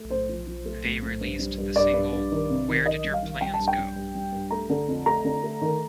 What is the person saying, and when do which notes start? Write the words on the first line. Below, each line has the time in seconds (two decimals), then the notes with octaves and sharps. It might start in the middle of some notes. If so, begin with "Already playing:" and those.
They released the single Where Did Your Plans Go?
Already playing: A3
0.10 A2 C5
0.29 F3
0.47 F3
0.65 A3
0.85 A2
1.02 A2
1.21 G2
1.39 G3
1.58 G2
1.76 G2 D5
1.94 G2
2.13 G2
2.32 D#3
2.50 C3
2.68 D#3
2.86 D#3 D#5
3.04 G3
3.14 F5
3.22 D#3
3.41 G3 G5
3.54 A5
3.60 G2
3.68 G5
3.78 G3
3.96 G2
4.15 G3
4.32 G2
4.51 A3 A#5
4.70 D3
4.88 F2
5.06 A3 A#5
5.25 D3
5.43 A3
5.61 D#3